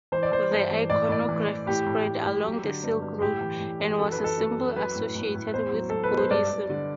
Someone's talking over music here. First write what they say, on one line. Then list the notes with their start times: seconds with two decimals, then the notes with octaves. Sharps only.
The iconography spread along the Silk Road, and was a symbol associated with Buddhism.
0.12 E3 C5
0.23 D5
0.32 E3 C5
0.51 G2
0.71 E3
0.90 A2 D5
1.09 A2 D5
1.29 E3
1.48 E3
1.67 A2 G4
1.86 A2
2.06 A2
2.25 A2
2.44 F#3
2.64 D3
2.83 G2
3.02 G2
3.21 A2 G4
3.41 E3
3.60 A2
3.80 E3
3.99 F#2 A4
4.12 B4
4.18 E3
4.24 A4
4.38 F#2
4.57 F#2
4.76 F#3 B4
4.95 A2
5.15 A2
5.34 A2
5.54 E2 C5
5.73 F#3
5.90 F#3 A4
6.04 B4
6.11 B2
6.17 C5
6.30 G2 D5
6.50 G2
6.70 D3